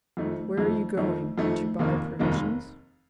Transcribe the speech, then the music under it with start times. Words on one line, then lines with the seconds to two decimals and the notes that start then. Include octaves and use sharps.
"Where are you going--to buy provisions?"
0.17 F2 D#3 A3 D#4
0.57 F2 D#3 A3 D#4
0.97 F2 D#3 A3 D#4
1.38 F2 D#3 A3 D#4
1.79 F1 D#2 D#3 A#3 D#4
2.19 F1 D#2 D#3 A#3 D#4